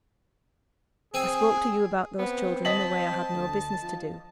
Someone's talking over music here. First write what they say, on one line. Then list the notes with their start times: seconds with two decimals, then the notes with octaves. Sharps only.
I spoke to you about those children in a way I had no business to do.
1.14 C4 G#4 G#5
2.19 B3 C4
2.65 D#5 A5 B6 F#7
3.35 D2
3.82 F3